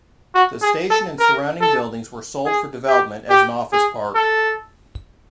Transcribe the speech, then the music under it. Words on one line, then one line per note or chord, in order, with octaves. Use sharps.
The station and surrounding buildings were sold for development as an office park.
F#4
G#4
A4
A#4
A4
G#4
G4
G4
G#4
A4